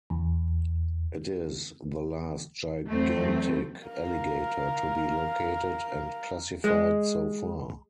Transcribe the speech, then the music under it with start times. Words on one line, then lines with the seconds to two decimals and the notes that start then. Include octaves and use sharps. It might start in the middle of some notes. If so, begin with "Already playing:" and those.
It is the last gigantic alligator to be located and classified so far.
0.10 E2
2.89 E2 F#3 A3 C4
3.86 A#4 F5
6.64 G#3